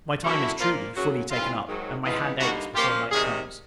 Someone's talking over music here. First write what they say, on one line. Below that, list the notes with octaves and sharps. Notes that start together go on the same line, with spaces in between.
My time is, truly, fully taken up, and my hand aches before night comes.
D3 F#3 A#3 C#4 E4
A#2 F3 A#3 F4
F#2 C#3 F#3 F#4
G2 E3 G3 C4 F4
G#2 D#3 F#3
C#3 E3 G#3 B3 D#4 F4
D3 G3 A#3 D#4 F#4
F3 A#3 C#4 F4 G4
C3 D#3 G3 G#4